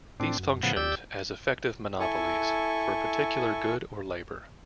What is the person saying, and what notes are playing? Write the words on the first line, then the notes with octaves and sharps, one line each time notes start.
These functioned as effective monopolies for a particular good or labor.
A2 C4 D4
F#2
A2 C#3 F3 B3 F#5
D#2 G4 D5 E6 G6
E4 A4 G#5 C#6